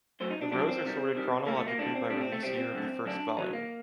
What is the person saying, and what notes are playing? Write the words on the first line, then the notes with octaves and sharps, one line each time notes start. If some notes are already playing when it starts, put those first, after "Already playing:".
The rows are sorted chronologically by release year of the first volume.
F#2 F#3 A3 C5
D#4
D4
F#2 F#3 A3 D4
C4
C3 D#3 G3
C3 D#3 G3
A2 A3 A#3
A3
A#3
A2 A3 D4
C4
C3 G3 D4
C4
A3
C3 G3 C4
C4
F#2 D3 A3
F#2 D3 A3 D4
F#2 D#3 F#3 D#4
A#3